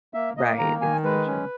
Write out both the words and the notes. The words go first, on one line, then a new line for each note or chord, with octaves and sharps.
Right, it's so true.
A#3 E5
A#3 D#5
D#3 A#5
D#3 G#5
G#3 B4
C#4